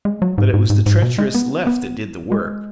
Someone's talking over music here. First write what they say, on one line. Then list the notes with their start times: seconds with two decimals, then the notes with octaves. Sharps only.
But it was the treacherous left that did the work.
0.05 G#3
0.22 F#3
0.38 G#2
0.54 G#2
0.70 G#2
0.86 G#2
1.02 B2
1.18 G#3
1.34 B3
1.67 B3
2.32 G#3